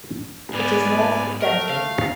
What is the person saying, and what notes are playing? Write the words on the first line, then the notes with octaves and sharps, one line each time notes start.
It is north of Denton.
G#2 B3 B4 D5 G#5
A3 A#4
F5